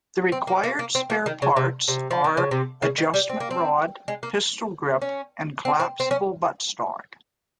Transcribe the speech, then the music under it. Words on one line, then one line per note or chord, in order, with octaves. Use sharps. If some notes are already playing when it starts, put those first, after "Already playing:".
The required spare parts are: adjustment rod, pistol grip and collapsible butt-stock.
C4
A#3
A#3
A#3
C4
A#3
D#3
C#3
C3
C3
F3
D#3
C#3
C3
C#3
D#3
G3
C4
A#3
C4
G#3
A#3
C#4
C4
C4
C4
C#4